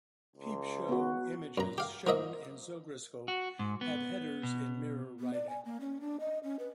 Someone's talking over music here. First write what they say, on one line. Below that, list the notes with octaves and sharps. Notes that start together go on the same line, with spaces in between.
Peep show images shown in a zograscope have headers in Mirror writing.
C#2
B3 F#4
F#2 A#5
G4 F5
F3 A#3 D#5 E5
F#4
G#2
B3
B2
B3
D5
G#5
A#3
C#4
D4
D#5
C#4
B4